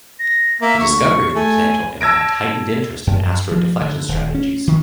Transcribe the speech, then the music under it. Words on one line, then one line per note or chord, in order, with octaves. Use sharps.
The discovery of the potential impact heightened interest in asteroid deflection strategies.
A#6
A#3 E5
D2 C#6
A3 G#5
A5 E6 G#6 A#6 D7
F#2
F3
D3
D#1
C#4
D#3